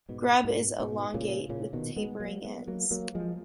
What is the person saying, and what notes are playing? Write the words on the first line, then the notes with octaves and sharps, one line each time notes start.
Grub is elongate with tapering ends.
G#2 B2
G#2 B2
G#2 B2
A#2 C#3
A#2 C#3
B2 D#3
G#3 B3
F#3 A#3
G#3 B3
F#3 A#3
F#3 A#3
F3 G#3